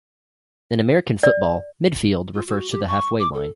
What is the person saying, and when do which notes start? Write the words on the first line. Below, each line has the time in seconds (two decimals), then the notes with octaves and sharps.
In American football, "midfield" refers to the halfway line.
1.23 D5
2.34 F4
2.47 F#4
2.71 G4
2.88 C#6
3.20 D6
3.34 A4